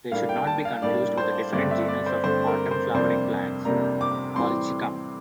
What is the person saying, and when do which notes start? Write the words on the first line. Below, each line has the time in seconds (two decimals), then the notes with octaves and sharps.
They should not be confused with a different genus of autumn-flowering plants, "Colchicum".
0.12 A2 G3 A#3 D4 F5
0.29 G5
0.47 A5
0.65 F5
0.82 A2 G3 A#3 D4 D5
1.17 C5
1.53 G2 D3 A3 C4 D5
1.71 E5
1.88 D5
2.06 C5
2.24 G2 D3 A3 C4 C5
2.47 A#4
2.71 C5
2.94 F2 C3 G3 A#3 D4 C5
3.65 F2 C3 G3 A#3 D4 A#5
4.01 D6
4.36 A2 E3 G3 C4 C6